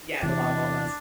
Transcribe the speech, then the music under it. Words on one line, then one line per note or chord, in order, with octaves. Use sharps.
Yeah, the Wild Wild West.
E2 C3 E3 D4